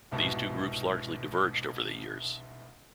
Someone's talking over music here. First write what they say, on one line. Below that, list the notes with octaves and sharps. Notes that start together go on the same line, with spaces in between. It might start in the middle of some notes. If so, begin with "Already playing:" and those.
These two groups largely diverged over the years.
E1 C2 G#2 B2